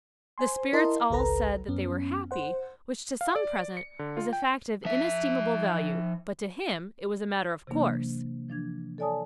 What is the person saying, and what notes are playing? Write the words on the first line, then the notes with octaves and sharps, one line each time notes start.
The spirits all said that they were happy, which to some present was a fact of inestimable value, but to him it was a matter of course.
C5 G#5 C6
E4 A#4 D#5 A5 A#5 C6
G#1 C#2 A4 B4 A#5
F#2 B3 C#4
C5 F#5
F5
D5
C#7
D3
F4
G5
F3 E5
C3 E3 F#3 A#3 D4
E3 F3 D4 G#6
A4 C#5 D5 G#5 A5 D#6